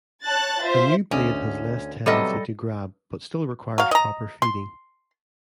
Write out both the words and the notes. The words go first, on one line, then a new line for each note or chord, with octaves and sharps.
A new blade has less tendency to grab but still requires proper feeding.
C#5 A5 F#6 A6
F4 C5 E5
D2 C#4 D5 D#5
C3 F#3 G3 B3 A4 D#5
F#3 F5
D#5 A#5
C6